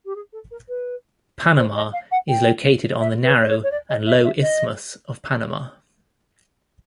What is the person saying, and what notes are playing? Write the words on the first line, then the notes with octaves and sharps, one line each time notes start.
Panama is located on the narrow and low Isthmus of Panama.
G4
G#4
A4
A#4
B4
C5
D#5
F5
F#5
G5
E5
B4
D5
C#5
C#5
D5
D#5
E5
E5
D#5